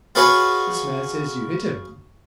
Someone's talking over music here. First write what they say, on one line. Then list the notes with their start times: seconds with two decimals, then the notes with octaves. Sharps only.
'This man says you hit him.'
0.15 F4 F#4 G#4 B4 C#5